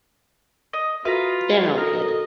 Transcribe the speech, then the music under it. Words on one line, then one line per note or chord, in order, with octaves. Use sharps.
They don't care.
D#5
F4 F#4 A4 B4 E5 F5 A#5
F#4 A4 A#4 D#5